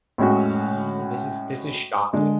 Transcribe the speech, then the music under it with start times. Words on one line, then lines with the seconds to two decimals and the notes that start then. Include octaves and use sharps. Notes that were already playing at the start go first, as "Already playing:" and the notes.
Oh, this is this is shocking.
0.18 A2 G#3 C#4 F#4
2.13 D3 G#3 D4